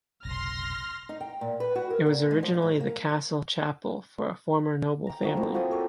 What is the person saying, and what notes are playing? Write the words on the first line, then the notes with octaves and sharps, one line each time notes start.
It was originally the castle chapel for a former noble family.
F1 B1 C#3 C6 F6 A#6
D#4
G5
A#2
B4
F#4
A#4
A#2
G#3
F3
G#2
A#3
G5 A#5
F3 D#4 F#4 A5
A3 A#3 C4 E4
F3 F#4 G5 D#6
A4 A#4 C#5 D5